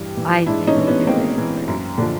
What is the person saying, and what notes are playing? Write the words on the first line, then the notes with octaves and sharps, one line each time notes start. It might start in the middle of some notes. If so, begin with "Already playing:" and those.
I've been through it where
Already playing: G2 E3 G4
E3
G#2 D4 E4
C#4 D#4
E3
B3 C#4
G#2 A#3 C4
E3
F#2
D3 F3